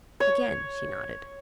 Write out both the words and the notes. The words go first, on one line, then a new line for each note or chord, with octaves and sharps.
Again she nodded.
C#5